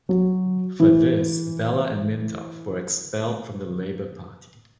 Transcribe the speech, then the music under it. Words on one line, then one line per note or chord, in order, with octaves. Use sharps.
For this Abela and Mintoff were expelled from the Labour Party.
F#3
E3